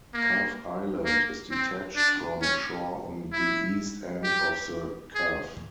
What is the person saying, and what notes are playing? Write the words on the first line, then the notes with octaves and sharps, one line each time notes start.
Cove Island is detached from shore on the East end of the Cove.
A#3
A#3
C4
D4
C#4
E4
G4
G#4